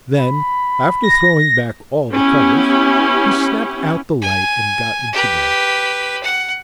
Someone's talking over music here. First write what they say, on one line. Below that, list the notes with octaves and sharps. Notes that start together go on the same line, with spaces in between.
Then, after throwing back all the covers, he snapped out the light and got into bed.
B5
A#6
B3 C#4 E4 G4
G#5
G4 B4
F#5